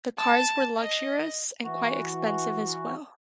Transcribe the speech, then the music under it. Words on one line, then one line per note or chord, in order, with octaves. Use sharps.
The cars were luxurious, and quite expensive as well.
A5
D#5
E3 F#4